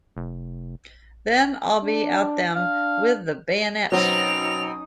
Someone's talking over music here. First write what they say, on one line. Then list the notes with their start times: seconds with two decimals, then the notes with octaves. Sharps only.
Then I'll be at them with the bayonet.
0.17 F1
1.83 D4
2.56 D4 F5
3.92 B2 F#3 C4 C#4 D#4 D#6 F7